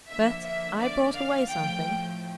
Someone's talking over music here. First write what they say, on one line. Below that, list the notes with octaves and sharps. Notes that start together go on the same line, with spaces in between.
But I brought away something.'
D3 F3 A#3 E5
E5
D5
F5
A2 F3 A3 G5